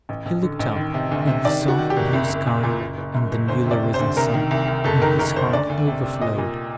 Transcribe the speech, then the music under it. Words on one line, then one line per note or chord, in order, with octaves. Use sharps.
He looked up at the soft blue sky and the newly-risen sun, and his heart overflowed.
A1
A1
D3
A1
D#3
C3
D2
C3
D#3 D5
D#3
F#4
D#3
G4
F#1
C2
C2
A#2
A#2
F#1
F#1
F#2
F#1
D2 C5
C3 D5
C3
C5
D2
C2 A#4
D#3
C2
C2
F#1 A4
D#3 A#4
F#1 A#4
F#1 C5
D2 D5
D2
C3
C3
A#2 D#5
A#2